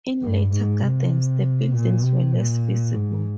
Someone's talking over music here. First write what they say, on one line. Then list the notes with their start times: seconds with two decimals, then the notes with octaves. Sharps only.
In later gardens, the buildings were less visible.
0.22 G2
0.52 G#2
0.82 C3
1.74 A#2
2.03 C3
2.34 A#2
2.94 G#2